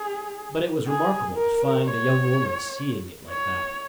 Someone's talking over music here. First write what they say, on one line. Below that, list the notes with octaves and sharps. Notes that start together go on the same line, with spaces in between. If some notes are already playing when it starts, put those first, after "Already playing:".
But it was remarkable to find a young woman seeing it like that.
Already playing: G#4
G#4
A#4
C#5
C#5